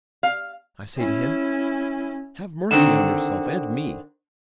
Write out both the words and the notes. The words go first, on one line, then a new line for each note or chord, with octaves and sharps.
I say to him, "Have mercy on yourself and me."
F5
C#4 E4
D3 D#3 C4 D4 E7